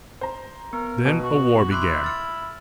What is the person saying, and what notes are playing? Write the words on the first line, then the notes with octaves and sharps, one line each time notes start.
Then a war began.
C5 A#5
B3 A#4
B2
F#4
E4 C6 D6 F#6
F6 A6